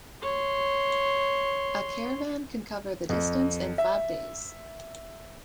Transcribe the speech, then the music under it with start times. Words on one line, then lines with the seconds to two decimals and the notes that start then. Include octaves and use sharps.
A caravan can cover the distance in five days.
0.22 C#5 C6
3.09 F2
3.78 E5